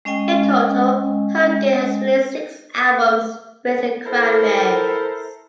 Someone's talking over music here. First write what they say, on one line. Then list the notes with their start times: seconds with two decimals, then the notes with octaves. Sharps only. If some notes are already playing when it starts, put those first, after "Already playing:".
In total, Hogan has released six albums with The Cranberries.
0.05 G#3 C#4 D#5 G5 G#5
4.05 E4 A4 A#4 C5